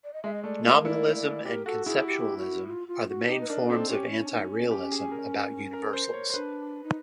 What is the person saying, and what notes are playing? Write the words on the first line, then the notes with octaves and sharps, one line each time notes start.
Nominalism and conceptualism are the main forms of anti-realism about universals.
D5
D#5
G#3 E5
D#5
A3 D5
A#3 D#5
E4 D5
C#5
D5
G4 A#4
F#4 A4
E4 G#4
G4
F#4
F4
F4
F#4
D#4 G4
B4
D4 A#4
A#4
C4 A4
C#4 G4
E4
D4
D#4
C#4
G4
G#4
A#4
A#4
C5
C#5
C5
D4 B4
D#4